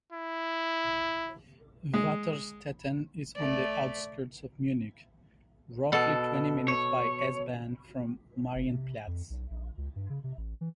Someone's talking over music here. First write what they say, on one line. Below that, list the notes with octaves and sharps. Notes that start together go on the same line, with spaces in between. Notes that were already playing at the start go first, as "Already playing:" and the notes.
Vaterstetten is on the outskirts of Munich, roughly twenty minutes by S-Bahn from Marienplatz.
E4
G#3
A3 D5
B2 A4
C#5
F1
C3
F2
B1
A#1
C#2
G2
C#3
C3
A1
E3